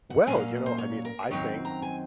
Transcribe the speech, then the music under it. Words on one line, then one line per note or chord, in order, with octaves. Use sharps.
Well, you know, I mean, I think,
F#5
A#2 F#3 A#3 C#4 G#5
F#5
F5
C5
C#5
A#4
F#2 D#3 F#3 C4 C#5
A#5
G#5